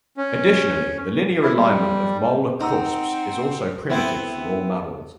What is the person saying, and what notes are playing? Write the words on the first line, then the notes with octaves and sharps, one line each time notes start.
Additionally, the linear alignment of molar cusps is also primitive for all mammals.
C#4
E4
G3
C4 D#4 D#5 F#5 A#5 E6
B3 C4 E4